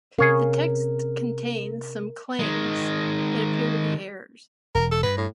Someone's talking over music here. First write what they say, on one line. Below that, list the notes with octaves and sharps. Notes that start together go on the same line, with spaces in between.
The text contains some claims that appear to be errors.
C3 C#4 G#4 A#4 C#5 F5
D#3 G#3
E1 A#4
A4
G2 B4
A2